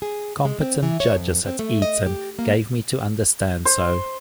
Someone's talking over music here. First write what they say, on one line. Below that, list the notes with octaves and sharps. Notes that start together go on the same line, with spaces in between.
Competent judges at Eton gave me to understand so.
G#4
G#3
C4
E3
C#5
F2
C4
A3
D#5
G4
A#3
C5